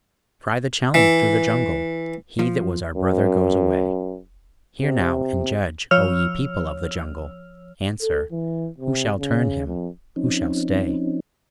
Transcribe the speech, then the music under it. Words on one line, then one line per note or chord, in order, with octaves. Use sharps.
Cry the challenge through the Jungle! He that was our Brother goes away. Hear, now, and judge, O ye People of the Jungle,-- Answer, who shall turn him--who shall stay?
E3
F3
F#2
C3
F3 C#5 E6 F6 F7
A4
E3
C3
C#3
F2
F3 C4 C#4 D#4